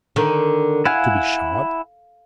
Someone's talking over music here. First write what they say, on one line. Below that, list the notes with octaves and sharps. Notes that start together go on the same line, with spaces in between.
To be shot?
D3 D#3
E4 F5 F#5 G#5